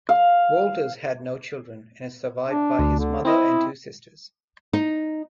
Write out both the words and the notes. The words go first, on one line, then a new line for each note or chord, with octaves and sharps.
Walters had no children, and is survived by his mother and two sisters.
F5
D4
D2
D3
C4 E4 D#5
D#4